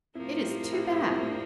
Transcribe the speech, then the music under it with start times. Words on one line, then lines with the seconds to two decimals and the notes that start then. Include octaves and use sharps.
It is too bad.
0.15 A2 F3 A#3 C4 E4
0.44 E4 G4
0.67 F4
0.73 E4 G4
0.92 E4 G4
1.11 C4 E4
1.30 D4